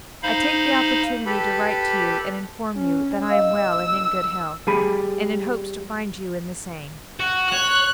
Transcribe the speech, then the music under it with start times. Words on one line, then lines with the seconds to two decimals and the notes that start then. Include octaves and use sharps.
'I take the opportunity to write to you and inform you that I am well and in good health, and in hopes to find you in the same.
0.23 D#4 C5 F5 B5
1.26 G4 A4 B4 B5
2.76 C#4
3.28 D#5 F5 E6
4.67 G3 G#4 G#5 B5
7.20 F#4
7.52 C#5 F#6